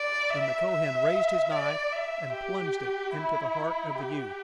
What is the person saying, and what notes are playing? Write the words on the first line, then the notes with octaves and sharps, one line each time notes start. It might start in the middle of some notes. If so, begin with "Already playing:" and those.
Then the Kohen raised his knife and plunged it into the heart of the youth.
Already playing: D5
E5
E5
D5
E5
G4
E4
G4